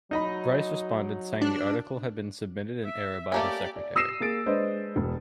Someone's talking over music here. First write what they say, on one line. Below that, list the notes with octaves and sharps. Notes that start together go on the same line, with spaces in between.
Bryce responded saying the article had been submitted in error by his secretary.
F#3 D#4 D#5 B5
D4
E5
A3 A#3 C#4 G4 D5
D5
D#6 E6 A#6 C7 D#7 E7
A#3 G#4 A6 D7
G#3 D4 B4 C5 D#5
E1